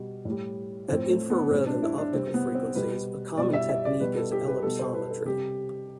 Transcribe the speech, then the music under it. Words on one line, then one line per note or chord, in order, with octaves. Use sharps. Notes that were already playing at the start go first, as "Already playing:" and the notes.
At infrared and optical frequencies, a common technique is ellipsometry.
Already playing: B2 G3
A2 G3
A2 F3 C4
A3
B3
A2 G3 C4
D4
E4
D4
C3 G3 C4
B3
C4
B2 G3 B4
B2 G3 D5
E5
E5
D5
B2 G3 B4
A4
G4
B4
B2 G3 A4
C5
B4
A4
C3 G3 G4